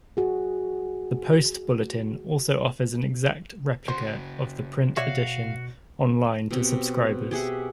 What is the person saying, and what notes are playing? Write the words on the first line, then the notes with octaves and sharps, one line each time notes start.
The "Post-Bulletin" also offers an exact replica of the print edition online to subscribers.
F#4 G#4
C#3 F#4 C5
B2 F#4 C#5 D5 E5 F5
B2 C4 G4
G4 G#4 E5 F#5